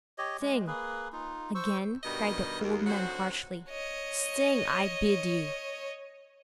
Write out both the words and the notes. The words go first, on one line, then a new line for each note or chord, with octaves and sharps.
"Sing," again cried the old man, harshly; "sing, I bid you."
G4 C#5 D#5
G#3
A#3 G#4 B4
D#4 F4
C5 C#6 E6
G2 B2 D#3 G3 D#5
D#2
D2 F#3 C4 F#4
C#5 D#5